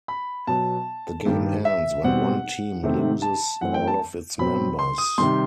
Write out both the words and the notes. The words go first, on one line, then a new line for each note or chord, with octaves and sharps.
The game ends when one team loses all of its members.
B5
B2 F#3 B3 A5
G2 D#3 G3
E5
B2 G3 C4 F#5
C3 D#3 A3 C4
A5
F#2 E3 A3 C4 F#5
G5
A5
B2 F#3 C4 B5
C6
D#6
C3 D#3 G3 C6